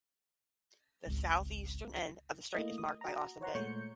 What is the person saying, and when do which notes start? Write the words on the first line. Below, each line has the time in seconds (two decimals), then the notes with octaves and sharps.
The southeastern end of the strait is marked by Austin Bay.
1.06 G#1 C#2
2.54 A3 A#3 E4 D#5
2.78 D#6
3.01 F#4 A#5
3.41 C5 C#5 F#5 A#5 C6
3.55 A#2 G#3 A3 C#5 G6 C#7